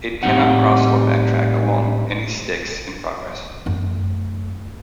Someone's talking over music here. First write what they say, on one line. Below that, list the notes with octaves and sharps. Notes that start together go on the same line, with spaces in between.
It cannot cross or backtrack along any Stix in progress.
A2 G3 C4 D#4 F#5
F#2 A3